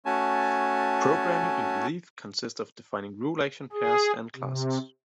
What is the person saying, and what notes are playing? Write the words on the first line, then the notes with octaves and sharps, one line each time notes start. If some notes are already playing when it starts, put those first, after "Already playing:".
Programming in Lithe consists of defining rule-action pairs and classes.
A3 C#4 F#4 G#5 A5
G#4
C3